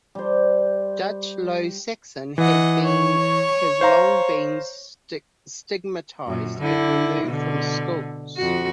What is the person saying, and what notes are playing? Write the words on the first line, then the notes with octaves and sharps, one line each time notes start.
Dutch Low Saxon has long been stigmatised and removed from schools.
G3 C5
E3 D#5 F#5
C#5
C5 F5 A#5
F#2 A#2
D3 E4
B2 D3
F2 F#4